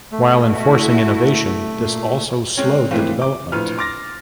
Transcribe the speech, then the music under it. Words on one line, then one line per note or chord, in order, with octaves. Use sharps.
While enforcing innovation, this also slowed the development.
A3
E4 F#4
A#2
G#3 C4 C#4 C#5
A#2 E3 F3 A3 A#3 C4
D6
A#1 A2 B4 F6
C6 D6 F6 A6 A#6